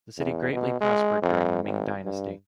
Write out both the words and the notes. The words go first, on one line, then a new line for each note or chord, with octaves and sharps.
The city greatly prospered during the Ming Dynasty.
E2
B2
G#3
F2
G#1
G2